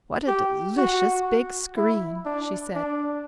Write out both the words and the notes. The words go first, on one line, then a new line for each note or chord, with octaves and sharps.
"What a delicious big screen," she said.
G4
F#4
E4
D4
D4